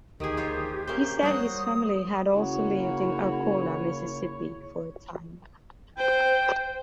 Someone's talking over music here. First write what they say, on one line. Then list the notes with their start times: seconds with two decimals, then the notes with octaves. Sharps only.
He said his family had also lived in Arcola, Mississippi, for a time.
0.20 D2 D#3 G4 G#4 D#6 G#6
0.37 F4 C5 C#5
0.87 A#3 C#4 C5 G6
1.23 G3 F#4 C5 C#5 D#6
2.33 C#3 A#3 E4 F#4 C#5
5.98 C5 G5